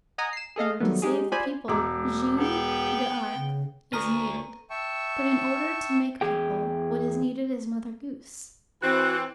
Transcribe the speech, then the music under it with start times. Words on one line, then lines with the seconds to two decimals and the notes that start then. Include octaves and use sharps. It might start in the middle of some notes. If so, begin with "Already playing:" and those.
In order to save the people, Jeanne d'Arc is needed; but in order to make people, what is needed is Mother Goose.
0.18 D#5 F#5 G#5 A#5 D#6
0.33 C7 E7
0.56 G#4 A4 D#5 F5
0.80 D#3 F#3 G3 A3 B3
1.02 G#3 D#4 G4 G#4
1.32 F4 G#4 C5 D5 G#5 B5
1.68 E1 G#3 G#4 A#5 D6
2.38 B3 C#4 G#4 G5
3.35 C#3
3.93 D2 A4 B4 A#5 C#6 D#7
4.70 E5 G5 A5 C#6
6.21 E2 G#4 G5
8.82 E3 C4 F#4